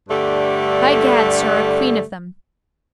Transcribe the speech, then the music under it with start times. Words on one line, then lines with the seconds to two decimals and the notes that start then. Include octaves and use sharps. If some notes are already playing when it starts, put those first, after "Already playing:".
By gad, sir, a queen of them.
0.09 G2 D3 G3 A3